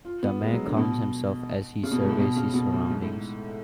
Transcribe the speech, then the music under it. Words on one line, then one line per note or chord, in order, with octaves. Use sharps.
The man calms himself as he surveys his surroundings.
F4
B3
G#3
F#3
D3
B2
C#3
B2
G#2
A2
B2
C#3
B2
A2
G#2
A2